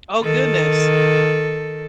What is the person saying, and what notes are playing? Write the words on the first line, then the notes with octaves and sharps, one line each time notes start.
Oh, goodness.
D#3 A4